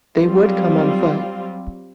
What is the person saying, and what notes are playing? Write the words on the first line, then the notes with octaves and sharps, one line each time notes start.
They would come on foot.
F#3 G3 C4 F4